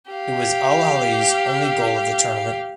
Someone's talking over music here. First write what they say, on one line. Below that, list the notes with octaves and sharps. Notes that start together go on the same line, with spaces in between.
It was Al-Ahly's only goal of the tournament.
G4 F5